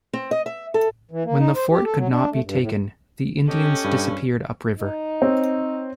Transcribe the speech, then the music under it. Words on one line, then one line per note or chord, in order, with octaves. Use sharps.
When the fort could not be taken, the Indians disappeared upriver.
C4
D#5
E5
A4
E3
A#3
D#4
C5
G4
A4
F#3
D4
A3
G2
A2
C#4 G4 A4 D#5 G5
G2
D#4
C4 C#5